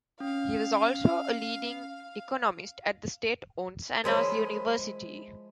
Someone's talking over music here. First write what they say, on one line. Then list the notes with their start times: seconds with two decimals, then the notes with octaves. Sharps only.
He was also a leading economist at the state-owned Sana'a University.
0.20 C#4 F5
4.04 F3 G#3 E4 A#4 C#5